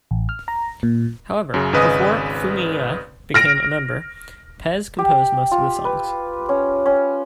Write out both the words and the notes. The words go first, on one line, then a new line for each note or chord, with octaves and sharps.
However, before Fumiya became a member, Pes composed most of the songs.
A1
F6
A#5
A#2
F#2 C#3
G#1 C#3 B4 D#5 G#5 D#6
F6 A#6 D7
G4
F4
B4
C#4
C#4